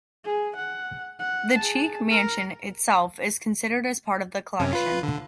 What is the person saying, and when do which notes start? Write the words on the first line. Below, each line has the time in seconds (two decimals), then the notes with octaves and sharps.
The "Cheek Mansion" itself is considered as part of the collection.
0.25 G#4
0.56 F#5
1.19 F#5
1.56 G#4 A5
2.10 A#4
4.60 F#2 C3 C#4
4.73 F4 B4
5.03 D3